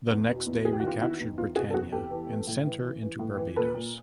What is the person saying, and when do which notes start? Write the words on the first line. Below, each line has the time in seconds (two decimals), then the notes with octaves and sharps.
The next day recaptured "Britannia" and sent her into Barbados.
0.11 E2
0.29 B2
0.46 E2
0.65 E2 G#4
0.73 G4
0.80 F#4
0.83 D#3 F4 G4
1.02 D#3 E4 F#4
1.20 E2
1.38 E2 F4
1.56 C3 F#4 G#4
1.70 A4
1.74 E2 F#4 G#4
1.92 E2 G4 A4
2.11 E3
2.30 E3
2.47 A2
2.66 E3
2.84 E3
3.02 E3
3.19 A2
3.38 E3
3.56 A#2 A4 B4
3.75 A#2